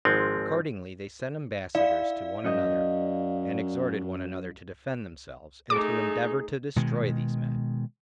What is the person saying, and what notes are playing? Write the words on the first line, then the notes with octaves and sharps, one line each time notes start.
Accordingly they sent ambassadors to one another, and exhorted one another to defend themselves, and to endeavor to destroy these men.
G#1 F3 G#3 C4 F#5
E4 D5 F5
F#2 D#5 G6 C#7
A3 D#4 G#4 D6
B2 D#3 G#3